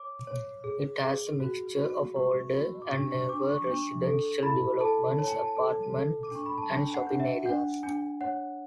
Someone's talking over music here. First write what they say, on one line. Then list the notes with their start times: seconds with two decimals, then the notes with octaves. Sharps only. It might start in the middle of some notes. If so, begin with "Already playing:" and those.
It has a mixture of older and newer residential developments, apartments, and shopping areas.
Already playing: C#5 D6
0.27 C#5
0.64 G#4
1.03 G#4
1.40 F#4
1.78 F#4
2.16 B4 C#6
2.54 F#4
2.82 D6
2.92 D4 C#6
3.11 C#6
3.29 D4 D6
3.49 C#6
3.67 D4 C#6
4.05 A4
4.42 E4 B5
4.80 A4 A5
5.18 C#5 A5
5.28 G#5
5.38 A5
5.57 A4
5.94 A4
6.23 D6
6.31 D4 C#6
6.46 B5
6.58 A5
6.70 D4 G#5
6.90 G#5
6.94 F#5
7.07 D4 F#5
7.20 E5
7.45 D4 F#5
7.83 D4 G#5
8.21 C#5 F#5